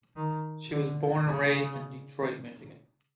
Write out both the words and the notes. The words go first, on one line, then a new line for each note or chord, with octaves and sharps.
She was born and raised in Detroit, Michigan.
D#3
D3
C#3